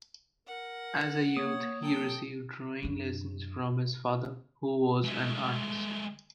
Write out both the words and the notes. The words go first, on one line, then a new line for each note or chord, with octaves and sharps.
As a youth, he received drawing lessons from his father, who was an artist.
A#4 F#5
A#3 C#5 D#6
F#3 A4 G5
F#2 D4
G#3 A3